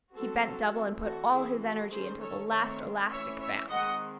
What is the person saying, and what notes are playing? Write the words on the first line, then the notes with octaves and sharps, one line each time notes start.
He bent double, and put all his energy into the last elastic bound.
F#3 A3 C4 F#4 A4
E3 A3 C4
F#4 A4
E3 A3 C4 E4 G#4
F#4 A4
D#3 A3 C#4 G#4 C5
A4 C#5
D#3 A3 C4 C#5 E5
E3 A3 C#4 C#5 E5
C#5 E5
D#3 G#3 C4 D#5 F#5